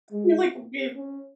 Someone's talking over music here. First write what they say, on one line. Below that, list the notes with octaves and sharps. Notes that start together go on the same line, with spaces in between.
You're like we've
G#3
C#4